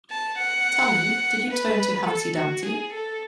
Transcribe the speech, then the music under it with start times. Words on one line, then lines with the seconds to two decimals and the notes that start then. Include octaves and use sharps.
Tell me, did you turn to Humpty Dumpty?
0.10 A5
0.37 F#5
1.51 B4
2.08 A4
2.36 F#4
2.65 G#4
2.93 A4